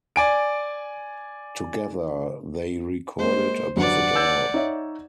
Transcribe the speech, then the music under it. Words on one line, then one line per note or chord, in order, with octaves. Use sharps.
Together they recorded "Above It All".
D5 G#5 D7
G#3 A#3 C5
G1 F#3 F#4 D5 F#5
E6 G6 G#6
D#4 C#5 E5